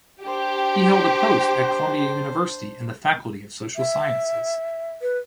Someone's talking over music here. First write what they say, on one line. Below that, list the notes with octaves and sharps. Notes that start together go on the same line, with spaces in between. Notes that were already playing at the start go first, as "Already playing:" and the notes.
He held a post at Columbia University in the Faculty of Social Sciences.
D4 G4 C5
E5
B4